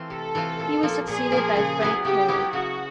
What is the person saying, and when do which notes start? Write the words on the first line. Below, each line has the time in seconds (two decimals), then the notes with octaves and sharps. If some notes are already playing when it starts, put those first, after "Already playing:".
He was succeeded by Frank Cary.
Already playing: E3 A3 C4 F4
0.10 C3 A4
0.35 E3 A3 C4 F4
0.59 A#2
0.83 F3 A#3
1.07 A#2 G#4
1.32 F3 A#3
1.57 C#3
1.81 F#3 B3 E4
2.05 C#3 G4
2.28 F#3 B3 E4
2.53 C#3 F#4